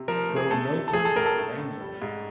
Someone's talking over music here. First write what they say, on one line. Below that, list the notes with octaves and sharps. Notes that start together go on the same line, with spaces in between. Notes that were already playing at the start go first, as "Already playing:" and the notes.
Pronotum granular.
Already playing: C3
F3 A#4
A3
G#4
A3 A4
C3
A4
A3 G#4
A4
A2 A#4
A4
A3
A2
G3
G#2